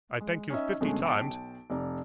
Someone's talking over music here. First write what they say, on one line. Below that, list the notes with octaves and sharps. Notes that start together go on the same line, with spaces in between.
I thank you fifty times.
G#3
C#4 D#4 D#5 E5
C2 F#2 B2 D3 G#3 A3
B1 G5 A5 D7
F1 D5 A#5